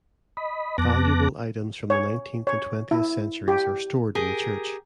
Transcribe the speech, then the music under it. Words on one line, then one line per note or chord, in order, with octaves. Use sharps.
Valuable items from the nineteenth and twentieth centuries are stored in the church.
D#5 B5
F2 B3 A5 D6 F#6 A#6
C#5
C#5
E4
G4
G4 G#4 A#4